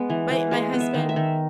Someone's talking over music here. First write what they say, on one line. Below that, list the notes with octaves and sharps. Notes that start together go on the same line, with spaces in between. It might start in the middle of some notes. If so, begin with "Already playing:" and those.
my my husband
Already playing: G#3 B3
E3
E3
G#3 F5
B3
E5
D#3
E5
D#3